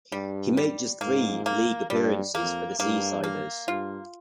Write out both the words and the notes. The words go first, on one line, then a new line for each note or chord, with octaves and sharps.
He made just three League appearances for the Seasiders.
G2 G3
G3
G#2 A#3
A#3
G2 G3
F2 A#3
G2 A#3
A#3
G2 F4